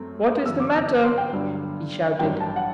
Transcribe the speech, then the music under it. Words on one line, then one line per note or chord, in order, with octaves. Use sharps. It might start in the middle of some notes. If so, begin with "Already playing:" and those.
"What is the matter?" he shouted.
Already playing: F#2 F#3 A3 C4
G1 F#2 E3 E6
D6
E6
C6
G5
G2 D3 F#3
A1 G2 F#3 C4 G5
A5
F#5